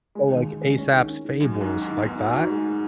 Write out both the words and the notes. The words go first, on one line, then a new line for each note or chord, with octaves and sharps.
Oh, like Aesop's fables, like that?
G#3
D#2
D#2
G#3
C#4
D#3
C#4
D#3
F#2 G#3
F#4
G#2
D#3
G#2 D#3
G#2 B3
F#4
G#2 F#4
G#3